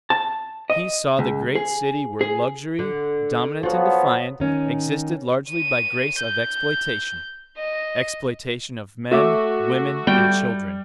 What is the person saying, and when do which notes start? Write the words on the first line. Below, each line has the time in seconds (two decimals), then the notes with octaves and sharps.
He saw the great city where luxury, dominant and defiant, existed largely by grace of exploitation-- exploitation of men, women and children.
0.10 A5
0.70 D#5
1.19 C#2
1.55 G#4
2.21 G#4
2.79 D3
3.63 F3 F#3 B3 F4 F#4
4.40 D#3 C#4
5.50 D#7
6.22 G6
7.58 D#5
9.11 A3 F#4 E5 D6
10.07 G3 G5